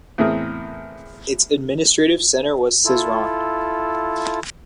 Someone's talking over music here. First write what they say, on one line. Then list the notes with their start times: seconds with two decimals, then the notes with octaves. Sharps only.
Its administrative centre was Syzran.
0.18 E2 A2 C4 G#4 A#4
2.85 E4 F4 A4